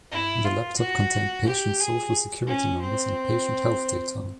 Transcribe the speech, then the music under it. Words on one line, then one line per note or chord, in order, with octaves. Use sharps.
The laptop contained patient Social Security numbers and patient health data.
E4
F4
F#4
G4
G#4
C#4
C4